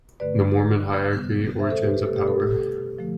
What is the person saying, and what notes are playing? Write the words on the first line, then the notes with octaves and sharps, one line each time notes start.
The Mormon Hierarchy Origins of Power.
G2 D3 A3 B4 D5
F2 C3 G3 B3
C5 E5
A4 C5
G4 B4
G4
B2 A3 A4
G4
A4
G4
A4
D3 F3 A3